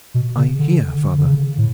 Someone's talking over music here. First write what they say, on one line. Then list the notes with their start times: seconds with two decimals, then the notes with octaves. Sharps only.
"I hear, father."
0.14 B2
0.37 C#3
0.59 D3
1.18 D3
1.25 C#3
1.58 A2